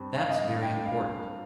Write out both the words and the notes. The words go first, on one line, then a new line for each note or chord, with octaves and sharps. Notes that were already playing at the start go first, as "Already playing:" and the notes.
That's very important.
Already playing: G2 G3 C4
F5
D#5
F5
G5
F5